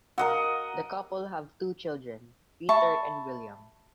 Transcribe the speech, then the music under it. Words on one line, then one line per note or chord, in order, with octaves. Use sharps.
The couple have two children, Peter and William.
A#4 D#5 F#5
E5 A5 B5 C#6